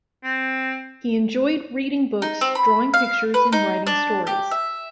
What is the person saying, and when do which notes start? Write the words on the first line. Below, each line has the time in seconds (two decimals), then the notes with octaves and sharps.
He enjoyed reading books, drawing pictures, and writing stories.
0.24 C4
2.22 D#4
2.41 C4
2.55 B5
2.94 F5
3.34 B4
3.52 D#4
3.87 D4
4.27 G4
4.51 E5